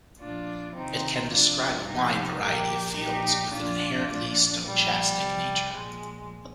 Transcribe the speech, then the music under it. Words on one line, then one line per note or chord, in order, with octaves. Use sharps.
It can describe a wide variety of fields with an inherently stochastic nature.
A#2 F3 D4 F4
C3 D#3 C4 D#4
C3 F3 D4 F4
C3 F3 D#4 G4
A#2 F3 G4 A#4
A#2 F3 D#4 G4
A#2 F3 D4 F4
A#2 F3
A#2 F3 G3
C3 F3
A#2 F3 G#3